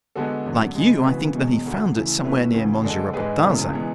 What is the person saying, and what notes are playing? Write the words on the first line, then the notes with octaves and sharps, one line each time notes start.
Like you, I think that he found it somewhere near Monsieur Robert Darzac.
D3 G#3 B3 F#4 A4
G#1 F#2 D3 F#3
F#2 C#3 G#3
C#3 E3 B3 F#4 B4
E1 E2 B2 G#3
D2 D3 F#3
C#3 E3 A3 E4
B1 B2 A3 E4 B4
D2 C#3 E3 A3
D3 G#3 D4 A4
G#2 G#3 D4 G#4 B4
E1 E2 C#3 E3
E3 G#3 B3